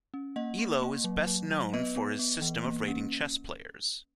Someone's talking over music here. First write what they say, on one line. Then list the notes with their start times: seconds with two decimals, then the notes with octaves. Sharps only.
Elo is best known for his system of rating chess players.
0.14 C#4
0.36 A#3 D#5 F#5
0.59 A#3
0.82 A#3
1.04 F#3
1.27 F#3
1.51 F#3
1.73 B3 B4 D#5
1.96 B3
2.19 B3
2.42 E3
2.65 A#3
2.88 C#4